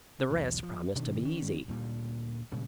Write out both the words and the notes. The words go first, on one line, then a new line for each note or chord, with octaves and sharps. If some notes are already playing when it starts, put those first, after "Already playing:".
The rest promised to be easy.
B1 E2 B2
F3
B2 D#3 D4
D#3 C#4
D2 A#2 G3
A#2 C#3 G3 G#3